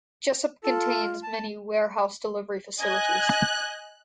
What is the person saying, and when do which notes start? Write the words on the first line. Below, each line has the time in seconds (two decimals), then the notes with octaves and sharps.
Jessup contains many warehouse delivery facilities.
0.64 F4 A4
1.23 A5
2.80 D#5 G#5 F#6 G#6